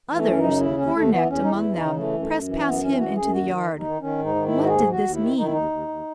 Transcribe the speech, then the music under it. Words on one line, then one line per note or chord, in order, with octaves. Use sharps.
Others, Hornecht among them, pressed past him into the yard. What did this mean?
E3
A3
F#2 C#4
D#4
C#3
D#2 E4
D#2 C#4
D#2 A3
E3 B3
E2 C#4
E2 D#4
E4
E3
D#4
C#3
E3 A3
F#2
A3
F#2
E3
C#4
F#2 B3
E3 C#4
F#2 F#4
F#2 G#4
D#2 F#4
D#3
D#2
D#4
D#3
D#3 C#4
G#2
D#4
D#3
E4
G#2
F#4
D#2 G#4
D#2
F#4
D#2
E4
D#3
D#3 D#4
E4
D#2 D#4
D#2
D#2